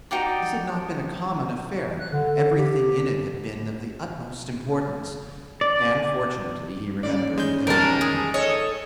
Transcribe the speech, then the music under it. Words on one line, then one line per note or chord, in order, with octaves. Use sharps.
This had not been a common affair, everything in it had been of the utmost importance, and fortunately he remembered everything.
D#4 F#4 G4 D5
F#6
D3
G4
D5
D#2 C#4 D5
G#3 G6
F2 B2 D#3 G3 G#3 A#4 A5
G#4
A4 C#5 D#5